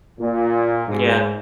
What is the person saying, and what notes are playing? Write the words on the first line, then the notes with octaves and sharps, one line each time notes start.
Mm yeah.
A#2
G#2